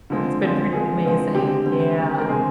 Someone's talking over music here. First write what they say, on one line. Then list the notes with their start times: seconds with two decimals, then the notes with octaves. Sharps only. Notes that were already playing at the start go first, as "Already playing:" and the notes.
It's been pretty amazing, yeah.
0.10 D3 F3 G#3 C4
0.41 D3 F3 G#3 C4
0.72 D3 F3 G#3 C4 G#4
1.04 D3 F3 G#3 C4
1.35 D3 G#3 C4 G4
1.66 D3 G#3 C4
1.97 D3 G#3 C4
2.19 A#4
2.29 D3 G#3 C4 G#4